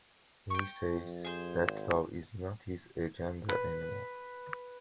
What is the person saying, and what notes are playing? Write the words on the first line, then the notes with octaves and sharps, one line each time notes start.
He says that love is not his agenda anymore.
G5 C#6
F2
G#4 C5
G#1
B4